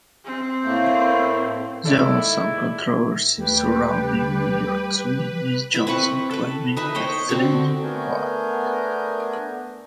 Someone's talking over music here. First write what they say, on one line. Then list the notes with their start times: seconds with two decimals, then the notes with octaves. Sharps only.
There was some controversy surrounding Willard's win, with Johnson claiming he threw the fight.
0.25 C4
0.64 A2 A3 A#3
1.85 G#2 D#3 A3 E4 A4 D5 E5
3.38 D#2 G3 A3 G4 B4
5.74 E4 E5
5.87 C4 B4 B5 C#6
6.31 A4 B4
6.77 D#4 B4 E5
6.95 C5 C#5 D#5 G5
7.29 D3 C4 F#4 C#6
7.83 A3 B3 D4 A#4 G#5 G6